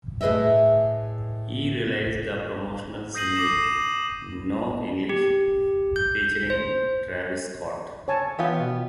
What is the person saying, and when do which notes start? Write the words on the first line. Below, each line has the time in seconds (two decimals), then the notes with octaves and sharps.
He released the promotional single "No English" featuring Travis Scott.
0.21 A2 G#4 B4 D#5 E5
3.14 D#6 G6 A#6 C7 D#7 F#7
3.36 D6 D#6 A#6 C7 D#7 E7
3.63 E7
3.82 F#7
5.09 G4
5.96 G6
6.50 C5
8.08 C#5 G#5 A5
8.39 E3 B3 F4 G4
8.58 B2